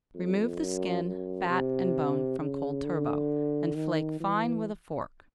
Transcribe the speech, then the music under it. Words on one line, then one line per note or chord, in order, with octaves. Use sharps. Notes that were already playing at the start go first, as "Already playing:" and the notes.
Remove the skin, fat, and bone from cold turbot, and flake fine with a fork.
F2
F#2
F#2
C3
C#3
D3
D#3
E3